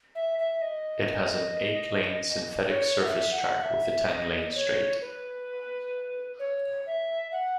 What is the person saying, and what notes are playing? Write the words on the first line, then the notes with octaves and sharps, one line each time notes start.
It has an eight-lane synthetic surface track with a ten lane straight.
E5
E5
D#5
C#5
F#5
E5
F#5
E5
D#5
C#5
B4
C#5
E5
F#5